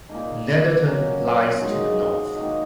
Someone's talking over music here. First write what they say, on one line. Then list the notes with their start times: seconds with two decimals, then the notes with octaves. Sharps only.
Netherton lies to the North.
0.09 A#2 A#3 D#4
0.85 F#3 C#4 F#4
1.60 G#3 D#4 F#4
2.36 D#3 A#3 D#4 F#4